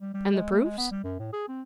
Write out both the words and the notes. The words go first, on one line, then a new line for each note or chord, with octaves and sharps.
"And the proofs?"
G3
G3
G#3
A3
G#3
B3
G3
F#2
A2
G#4
C4